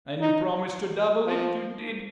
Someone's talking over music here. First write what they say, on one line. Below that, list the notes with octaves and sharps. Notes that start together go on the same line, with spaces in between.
And you promised to double it--you did!
D#4
F3